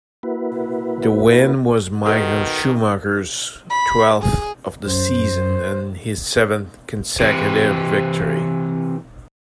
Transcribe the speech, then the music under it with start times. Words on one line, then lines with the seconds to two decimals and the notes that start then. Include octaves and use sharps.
The win was Michael Schumacher's twelfth of the season and his seventh consecutive victory.
0.23 A#3 E4 F#4 B4
2.06 B2 D#3 A4
3.70 B5
4.22 G#4
4.87 F#2 C5
7.20 C3 E3